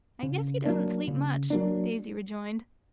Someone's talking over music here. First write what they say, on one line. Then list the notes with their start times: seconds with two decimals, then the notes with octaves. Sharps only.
"I guess he doesn't sleep much," Daisy rejoined.
0.23 C#3
0.65 F#3 A#3 D4
1.08 C#3
1.50 F#3 A#3 D4